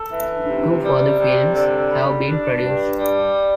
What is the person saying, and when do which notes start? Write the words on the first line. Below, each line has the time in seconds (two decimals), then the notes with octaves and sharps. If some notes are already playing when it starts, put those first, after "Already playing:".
Two further films have been produced.
Already playing: A4
0.11 E3
0.47 C3
0.82 G3
1.18 C3
1.53 D3
1.88 G3
2.24 D4
2.60 G2
2.95 G3